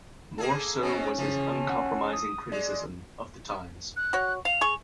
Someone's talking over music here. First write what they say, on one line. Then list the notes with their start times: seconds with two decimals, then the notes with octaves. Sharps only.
More so was his uncompromising criticism of the times.
0.38 A#3 G#4 A4
0.82 G#2 B2 F#3 C#4
1.18 C#3 E3 F3
1.69 F#5
2.13 D#6
2.52 G#3 D5
3.96 F#6
4.13 F#4 C#5
4.45 F5 F7
4.61 G#4 C#6